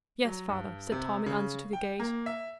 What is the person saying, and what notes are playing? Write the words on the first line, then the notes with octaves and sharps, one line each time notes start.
"Yes, father," said Tom, in answer to the gaze.
F#3
G2
C3
C#3
G5
A#3
E5